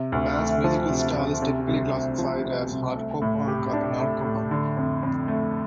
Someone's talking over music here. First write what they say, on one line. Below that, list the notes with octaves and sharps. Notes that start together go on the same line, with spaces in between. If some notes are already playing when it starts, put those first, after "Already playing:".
The band's musical style is typically classified as hardcore punk or anarcho-punk.
Already playing: C3
D2
A3
F3
C3
D2
C3
C2
C4
F3
C3
C2
A3
A2
G4
D4
A3
A2
D3
F2
F2
A3